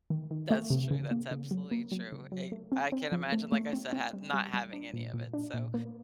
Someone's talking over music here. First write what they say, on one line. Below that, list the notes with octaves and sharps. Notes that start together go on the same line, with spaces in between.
That's true, that's absolutely true. Ay I can't imagine, like I said, ha not having any of it, so
D#3
D#3
A3
C3
C#3
A#3
C#3
F#3
A#3
F#3
C#3
F#3
A3
C4
C4
F3
A3
A3
C4
C4
G3
G3
G3
D4
A#2
A#2
D4
A#2
A#3